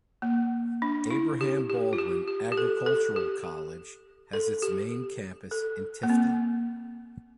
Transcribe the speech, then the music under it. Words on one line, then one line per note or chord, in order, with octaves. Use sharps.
Abraham Baldwin Agricultural College has its main campus in Tifton.
A#3
D4
E4
G4
G4
F4
G4
G4
G4
A4
A4
G4
A4
G4
A4
A#3
C4